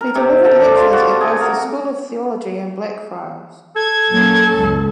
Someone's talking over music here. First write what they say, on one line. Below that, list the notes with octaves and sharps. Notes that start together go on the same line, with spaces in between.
He delivered lectures at both the School of Theology and Blackfriars.
A#4
C3
A4
D5
F4
F#4
G#4
A#4
A4 G#6
F#3 A#3 C#4
C#2 F#2